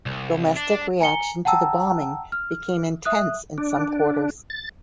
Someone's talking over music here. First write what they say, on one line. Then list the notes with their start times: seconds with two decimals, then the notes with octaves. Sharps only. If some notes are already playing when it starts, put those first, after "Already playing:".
Domestic reaction to the bombing became intense in some quarters.
0.06 C2
0.56 D4
1.00 G#5 A#5 C#7 G7
1.45 F#5 G5 A5 A#5 E6
2.32 F6
3.05 E5 D#6 F#6
3.58 D4
4.50 A6